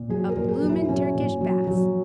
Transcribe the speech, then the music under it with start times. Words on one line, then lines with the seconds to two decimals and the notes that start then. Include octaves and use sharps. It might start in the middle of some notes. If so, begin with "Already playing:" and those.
A bloomin' Turkish baths!
Already playing: A#2
0.09 F#3 G#4
0.29 A#4
0.36 A#2
0.48 G#4
0.62 F#3
0.69 E4
0.89 F#3 C#4
1.15 A#2
1.41 F#3
1.67 F#3